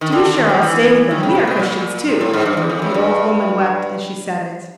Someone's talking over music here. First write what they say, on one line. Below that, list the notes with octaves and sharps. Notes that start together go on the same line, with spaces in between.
"To be sure, I'll stay with them, we are Christians, too." The old woman wept as she said it.
D#3
D3
D3
D#3
F3
E3
D#3
C#3
C3
B2
A#2
A2
A2
G#2
G2
E2
F2
F#2
G2